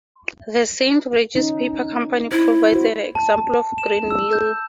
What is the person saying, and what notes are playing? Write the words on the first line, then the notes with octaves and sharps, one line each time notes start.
The Saint Regis Paper Company provides an example of greenmail.
C#4 D#4
E4 C5
F#4 C5
A5
E7
E6
G6